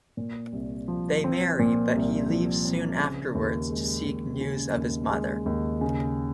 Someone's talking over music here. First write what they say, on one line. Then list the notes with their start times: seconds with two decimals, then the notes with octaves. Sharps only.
They marry but he leaves soon afterwards to seek news of his mother.
0.17 A#2
0.53 C2
0.88 F3
1.24 C4
1.59 A#2
1.95 C2
2.30 F3
2.65 C4
3.00 C#3
3.35 D#2
3.70 G#3
4.05 D#2
4.41 C#3
4.77 D#2
5.11 G#3
5.46 D#2
5.81 C#3